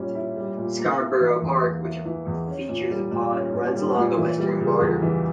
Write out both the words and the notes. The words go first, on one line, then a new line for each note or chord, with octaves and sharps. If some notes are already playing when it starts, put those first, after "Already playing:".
Scarborough Park, which features a pond, runs along the western border.
Already playing: A#2 G3 C#4
E4
G3
A#2
A#3
E4
E3
E2
A#3
E4
E3
E2
C#4
A#2
G3
A#2
C#4
A#2
G3
A#2
E3
G3
C#3
E2
E3